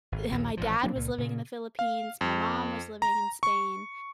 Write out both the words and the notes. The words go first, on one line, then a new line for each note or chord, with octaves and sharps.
and my dad was living in the Philippines, my mom was living in Spain,
G#1
A#1 D#2 A#2
A1 A#2 F3
F#3 A#3 D4
C#2 A#2
A#2 C#3
F5
F2
A#5
C#6